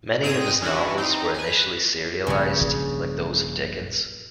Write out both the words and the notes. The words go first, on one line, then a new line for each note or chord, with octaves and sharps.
Many of his novels were initially serialized, like those of Dickens.
G#2 C4 G#4 G6 A#6 D#7
E3 C#4 D4 E4 F#4
C4 D#4
B4 G#5
A#1 G2 C#3 F#4